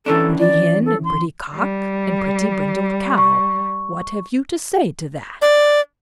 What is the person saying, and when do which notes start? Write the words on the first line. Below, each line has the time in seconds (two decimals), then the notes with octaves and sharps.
"Pretty Hen, and pretty Cock, And pretty brindled Cow, What have you to say to that?"
0.06 E3 C#4 D4 A4
0.39 D5
0.85 A4
1.04 C6
1.54 G3
3.18 C#6
5.42 D5